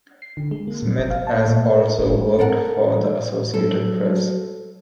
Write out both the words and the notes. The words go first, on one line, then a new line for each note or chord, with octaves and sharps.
Smith has also worked for the Associated Press.
C7
D3
G#3
A#3
A#2
G1
F5
A5
A#2
A#4
A#4
G1
A4 A#4 F#5
F#3 A4